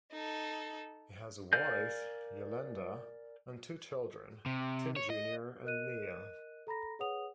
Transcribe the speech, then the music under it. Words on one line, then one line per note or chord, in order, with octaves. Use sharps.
He has a wife, Yolanda, and two children, Tim Junior and Nia.
D#4 A4
A#4 D5 F5 G#5 G6
C3
C#5
D#5
A#4 D#5 F#6 D#7
A4 A#5 B5 A#6
G#4 B4 C#5 F#5 D#6 F7